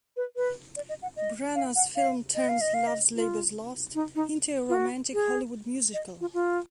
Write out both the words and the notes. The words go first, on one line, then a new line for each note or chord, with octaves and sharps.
Branagh's film turns "Love's Labour's Lost" into a romantic Hollywood musical.
B4
B4
D5
D#5
F#5
D#5
F5
F#5
F5
D#5
F5
D#5
F5
D#5
F4
D#4
D#4
F4
F#4
G#4
D#5
F4
F4